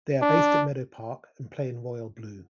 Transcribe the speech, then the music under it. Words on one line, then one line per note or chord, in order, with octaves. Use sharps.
They are based at Meadow Park and play in royal blue.
D4